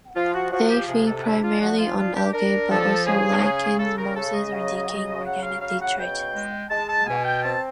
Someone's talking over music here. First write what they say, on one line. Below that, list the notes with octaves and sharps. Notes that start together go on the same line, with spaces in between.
They feed primarily on algae, but also lichens, mosses, or decaying organic detritus.
F3 F4
F#4
F3 F#4
G4
C3 G#4
A4
D4 E4
F4
F3 F#4
F4
D4 F4
G4
D4 A#4
F3 A4
C#3 G#4
C#3
C#3 A4
A#4
C#3 A4
D#5
F#3
C#3
F#3 F#5
F5
C#3 F5
F#5
B2 G5
G#3
G#3 A5
A5
B2 G#5
G5
C4 A5